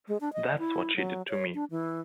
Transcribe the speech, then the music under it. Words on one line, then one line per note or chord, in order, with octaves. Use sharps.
That's what she did to me.
G#3
D4
D#5
E4
F#3
C#5
D4
E3